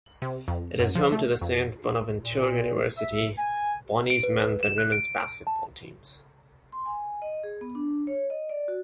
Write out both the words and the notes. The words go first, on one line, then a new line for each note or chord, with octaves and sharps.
It is home to the Saint Bonaventure University Bonnies men's and women's basketball teams.
C3
F2
F#2
F3
A3
F2
A#2
E5
G#5
D7
B4
E7
F#6
D7
A5
C6
G#5
D#5
G#4
B3
D4
C#5
D#5
D5
F#4